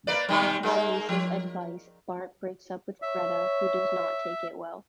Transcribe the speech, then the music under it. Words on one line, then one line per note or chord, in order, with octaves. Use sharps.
Upon Lisa's advice, Bart breaks up with Greta, who does not take it well.
A#3 B4 D5
B2 D#3 G3
G#3 A#3
F3
C#5 E5